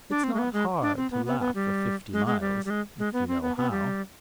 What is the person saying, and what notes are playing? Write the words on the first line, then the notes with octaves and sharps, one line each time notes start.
It's not hard to laugh for fifty miles if you know how.
D4
C4
G#3
B3
G#3
D4
C4
B3
B3
B3
G3
G#3
G#3
G3
G3
G#3
G#3
B3
C4
B3
B3
G3